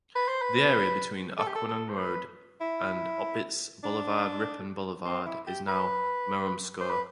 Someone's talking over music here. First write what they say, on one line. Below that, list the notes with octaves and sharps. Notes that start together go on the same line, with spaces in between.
The area between Occoquan Road and Opitz Boulevard-Rippon Boulevard is now Marumsco.
B4
C5
B4
A4
G4
A4
A4
C5
B4
E4
D4
C4
E4
G4
B4
C5
B4